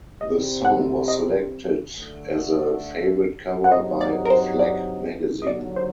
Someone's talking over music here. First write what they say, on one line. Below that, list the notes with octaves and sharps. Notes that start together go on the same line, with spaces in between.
The song was selected as a favourite cover by Flak Magazine.
C2 C3 G3 C4 D#5
F#5
D#5
D2 D3 A3
F#5
G2 F#3 C4 D#4 D#5
D5
A#4
C5
D5
D#5
D#2 D3 F#3 D5
C5